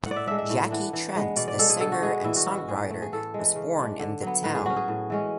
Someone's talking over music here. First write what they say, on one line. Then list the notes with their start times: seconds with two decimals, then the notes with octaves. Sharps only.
Jackie Trent, the singer and songwriter, was born in the town.
0.06 A2 F#5
0.11 D5
0.16 E5
0.27 G#3 D4 E5
0.38 E5
0.49 A2
0.71 E3 B3 D4
0.93 E3
1.16 G#3 B3
1.36 B2 D5
1.48 D5
1.58 G#3 D4 A4
1.70 G#4
1.81 D3 A4
1.92 F#4
2.02 G#3 B3 G#4
2.24 E3 E4
2.36 F#4
2.47 G#3 C#4 E4
2.58 F#4
2.68 A2 G#4
2.90 E3 A3
3.02 G#4
3.13 A2 A4
3.34 E3 G#3
3.56 C#3
3.78 G#3 D4
4.00 D3
4.23 F#3 B3
4.43 A2 B4
4.55 G#4
4.65 F#3 C#4 F#4
4.76 G#4
4.88 A2
5.10 E3 G#3 C#4